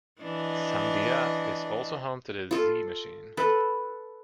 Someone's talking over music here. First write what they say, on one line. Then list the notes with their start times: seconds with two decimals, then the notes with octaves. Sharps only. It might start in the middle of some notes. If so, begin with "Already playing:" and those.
Sandia is also home to the Z Machine.
0.21 E3 D4 D#5
2.51 F4 A4
3.37 A4 B4